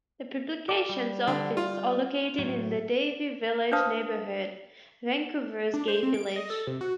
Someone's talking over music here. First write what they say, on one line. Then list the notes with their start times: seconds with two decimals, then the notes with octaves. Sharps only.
The publication's offices are located in the Davie Village neighbourhood, Vancouver's gay village.
0.69 F4 A4 D5
0.89 G3
1.27 D3
1.57 F4
2.39 A2 F#3
3.72 D4 B4 C5 F5 A5 D#6
5.74 D4
5.88 C5
6.03 C4
6.14 D7
6.36 D#5
6.50 A4
6.67 C3
6.81 F#4